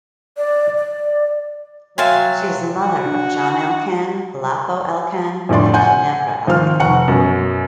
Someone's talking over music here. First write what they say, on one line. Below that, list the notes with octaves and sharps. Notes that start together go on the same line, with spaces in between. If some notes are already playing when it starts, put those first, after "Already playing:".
She is the mother of John Elkann, Lapo Elkann and Ginevra Elkann.
D5
D5
F#3 E5 F5 G5 G#5 C6 A6
F#4
D4
F2 A2 D3 D5 C6
F#5 G#5 G6
G#1 F3 F4 C5 F6
F1 F#5 C#6 C#7
F#2 B2